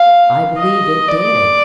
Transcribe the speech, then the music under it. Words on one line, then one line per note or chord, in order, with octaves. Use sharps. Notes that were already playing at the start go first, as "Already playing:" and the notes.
"I believe it did."
Already playing: F5
D#5
D5